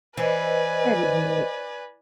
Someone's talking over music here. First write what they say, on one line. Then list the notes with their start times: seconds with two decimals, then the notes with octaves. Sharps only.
That is neat.
0.17 E3 B4 C5 D5 D#5 G#5